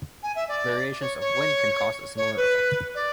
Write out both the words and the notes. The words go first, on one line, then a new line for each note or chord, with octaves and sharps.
Variations of wind can cause a similar effect.
G#5
E5
D5
C#5
C#5
C#5
B4
D5